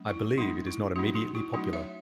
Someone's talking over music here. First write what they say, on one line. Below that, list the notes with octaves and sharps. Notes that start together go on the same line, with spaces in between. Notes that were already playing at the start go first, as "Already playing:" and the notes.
I believe it is not immediately popular.
Already playing: F#3 A3 C#4
E4
F#3 A3 C#4 D#4
E4
F#3 A3 C#4 D#4 F#4
D#4 F#4
E4
F#3 A3 C#4 D#4 F#4
C#5 E5